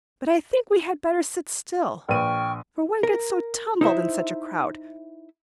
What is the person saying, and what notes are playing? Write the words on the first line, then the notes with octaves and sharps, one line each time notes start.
But I think we had better sit still, for one gets so tumbled in such a crowd!
A#1 B4 G5 C#6 F6 D#7
A#4
D#4 E4 C5 E5